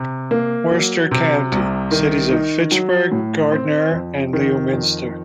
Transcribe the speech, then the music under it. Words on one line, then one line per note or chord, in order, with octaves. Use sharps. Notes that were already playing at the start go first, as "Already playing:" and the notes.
Worcester County: Cities of Fitchburg, Gardner, and Leominster.
Already playing: C3
A#3
F#3
C3
C2
D#3
D#4
F#3
A2
C4
F2
D#3
F2